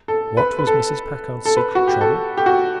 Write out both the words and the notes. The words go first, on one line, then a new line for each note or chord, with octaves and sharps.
What was Mrs. Packard's secret trouble?
A4
B4
B4
A4
A4
B4
F#4
G4
A4
G4
F#4